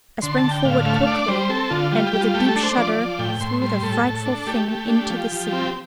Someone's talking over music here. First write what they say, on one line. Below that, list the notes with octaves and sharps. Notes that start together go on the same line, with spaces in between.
I sprang forward quickly, and, with a deep shudder, threw the frightful thing into the sea.
D3 C6
A5
D3
G5
A2 F5
A3
D4 D5
G3 C5
C4 A4
D3 F4
G3 F4
G4
G3
F4
A3 G4
A4
D4
C5
F3 D5
F3
A2 G5
A2 C6
G3 C6
A2 A4
A2
D4
A3 G4
A3 G4
D4
F3
F3
C4